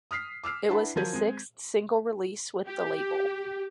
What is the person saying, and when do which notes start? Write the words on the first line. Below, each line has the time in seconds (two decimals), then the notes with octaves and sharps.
It was his sixth single release with the label.
0.11 D#6 F6 B6 C7
0.44 D6 E6 F6 C7
0.69 D4 E4 B4 F#5 A5 B5
0.96 F3 F#3 A#4 G6 G#6 D#7
1.13 G#3 C4
2.67 G4